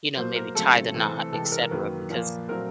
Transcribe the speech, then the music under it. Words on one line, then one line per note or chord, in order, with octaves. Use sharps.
you know, maybe tie the knot, etcetera, because
B2 F#3 A#3 C5
A#4
C#3 F#3 A3 C4 A4
C3 E3 A3 C4
C3 E3 G#3 A4
A4
A#4
F#2 D#3 F#3 A#3 B4
A#2 F3 A#3
A#2 F#3 A3 C4 A#4